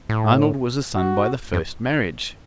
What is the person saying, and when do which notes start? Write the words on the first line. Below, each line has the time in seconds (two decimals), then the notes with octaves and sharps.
Arnold was a son by the first marriage.
0.09 A2
0.96 F#4
1.53 F#2